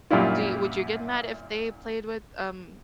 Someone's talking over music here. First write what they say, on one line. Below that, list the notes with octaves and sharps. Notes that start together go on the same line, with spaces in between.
Do you would you get mad if they played with, um
F#2 A#2 G3 D4 E4 F4